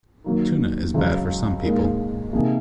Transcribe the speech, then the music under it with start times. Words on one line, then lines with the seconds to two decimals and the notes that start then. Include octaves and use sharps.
Tuna is bad for some people.
0.24 D#3 F#3 A#3
0.94 C#2 C#3 F#3
1.63 A#2 G#3 D#4 A#4
2.32 C3 F3 A#3 D#4 G#4